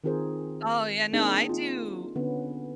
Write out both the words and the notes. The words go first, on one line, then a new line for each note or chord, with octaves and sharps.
Oh, yeah, no, I do
D#3 C4 F4 G#4 A#4 C5
A#3 C4 D4 D#4 G#4
F4
D3 B3 C#4